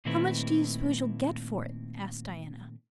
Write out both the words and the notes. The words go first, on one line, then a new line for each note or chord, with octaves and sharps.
"How much do you suppose you'll get for it?" asked Diana.
A#2 D#3 A3 C4 E4 B4